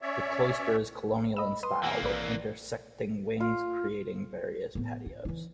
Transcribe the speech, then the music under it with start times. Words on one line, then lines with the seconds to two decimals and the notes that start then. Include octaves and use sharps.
The cloister is colonial in style with intersecting wings creating various patios.
0.02 C#4 C#5 D5 E5
1.37 D#5 B5 E6
1.63 B4 C6 D#6
1.83 E3 A#3 G#5
2.03 A#1 B4 D5
3.40 F4
4.75 A2 B3
5.06 F4
5.25 E3 E4